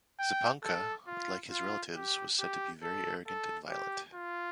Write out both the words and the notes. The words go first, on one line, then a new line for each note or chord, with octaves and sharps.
Zipacna, like his relatives, was said to be very arrogant and violent.
G5
A4
F4
F4
G4
G4
A4
A4
G4
F4